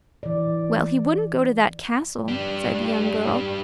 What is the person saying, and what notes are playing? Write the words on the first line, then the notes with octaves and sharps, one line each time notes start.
"Well, he wouldn't go to that castle," said the young girl.
E3 D5
G3 D4